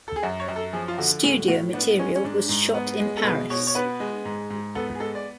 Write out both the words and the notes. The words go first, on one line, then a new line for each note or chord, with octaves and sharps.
Studio material was shot in Paris.
A4
G#4
F#2 F#4
C#5
F#2
A4
F3 G#4
F4
D3 F#4
A2 G#4
A2 F#4
B3 D4
G#3 C#4
C#4
G#2 D4
G#2
B3
G#3
A4
B2 B4
B2 C#5
C#5
B3 B4
G#3
G#2
G#2
B3 A4
G#4
G#3 A4
D5